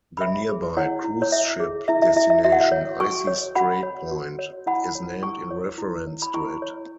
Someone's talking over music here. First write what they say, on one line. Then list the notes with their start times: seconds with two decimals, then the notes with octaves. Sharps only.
The nearby cruise ship destination Icy Strait Point is named in reference to it.
0.17 B5
0.21 C#5 E5 G#5
0.49 G#4
0.77 E4 C#5 F#5
1.04 E4
1.22 C#5
1.32 C#5 E5
1.60 G#4
1.88 E4 E5
2.02 E5
2.16 E4 E5
2.30 E5
2.44 F#4 E5
2.52 F#5
2.61 E5
2.72 C#5
3.00 F#4 G#5 C#6
3.27 C#5
3.55 F#4 F#5 B5
3.83 C#5
4.12 F#4
4.39 C#5
4.67 E4 F#5 B5
4.95 C#5
5.22 E4 G#5 C#6
5.51 C#5
5.78 E4
6.07 C#5
6.22 B5
6.34 E4 G#5 C#6
6.62 C#5